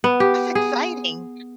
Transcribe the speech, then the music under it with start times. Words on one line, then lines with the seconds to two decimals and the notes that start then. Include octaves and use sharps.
That's exciting.
0.04 B3
0.20 G4
0.55 G#4